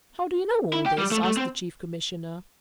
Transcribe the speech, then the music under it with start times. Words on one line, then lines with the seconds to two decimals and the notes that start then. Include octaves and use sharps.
"How do you know all this?" asked the Chief Commissioner.
0.73 E4
0.86 G4
0.98 G3
1.12 A3
1.24 A3
1.37 C4